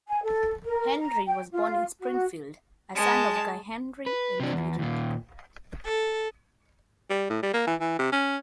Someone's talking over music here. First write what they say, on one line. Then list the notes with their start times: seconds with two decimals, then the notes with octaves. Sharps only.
Henry was born in Springfield, a son of Guy Henry and Nellie Reed.
0.07 G#5
0.23 A4
0.65 A#4
1.00 A#5
1.26 G5
1.53 F4
2.01 F#4
2.95 G#3 A5
4.06 B4
4.40 C3 D4
4.53 E2
4.79 D#2 A#2
5.85 A4
7.10 G3
7.30 A2
7.42 G3
7.54 A#3
7.67 E3
7.80 E3
7.99 C3
8.12 C#4